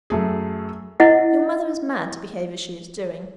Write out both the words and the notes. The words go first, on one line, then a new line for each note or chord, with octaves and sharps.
Your mother is mad to behave as she is doing.
F#2 A3 G#4
E4 D#5 F#5